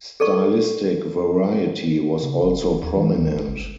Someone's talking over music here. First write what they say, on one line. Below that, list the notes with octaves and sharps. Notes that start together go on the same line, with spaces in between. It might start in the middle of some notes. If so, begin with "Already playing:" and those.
Stylistic variety was also prominent.
G#4 A4 D5 C#6
C#3
F#1
D#1
D#2
E3
D2
D1
G#1
G1